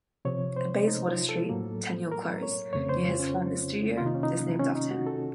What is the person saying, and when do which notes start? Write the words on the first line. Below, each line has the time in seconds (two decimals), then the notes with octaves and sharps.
A Bayswater street, Tenniel Close, near his former studio, is named after him.
0.25 C3 F3 C4 C#5
0.56 C5
0.87 D#4
1.08 F4
1.29 A4
1.49 A2 F#3 A#3
2.12 A#4
2.43 C#5
2.73 F2 C#3 A3 C4 C#5
2.89 C5
3.05 F4
3.19 C#4
3.97 C3 D#3 A#3 F4
4.06 D#4
4.15 C#4
4.23 D#4
4.59 C#4
4.75 D#4
4.91 F#4
5.06 A4